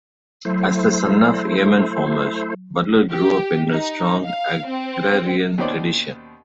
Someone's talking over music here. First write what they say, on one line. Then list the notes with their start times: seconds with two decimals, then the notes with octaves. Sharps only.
As the son of yeoman farmers, Butler grew up in a strong agrarian tradition.
0.45 F#3 A3 E4 C5
3.11 G4
3.69 D#4
4.25 F5
4.66 C4
5.58 D#2 B2 D#3 C#4 C5 D5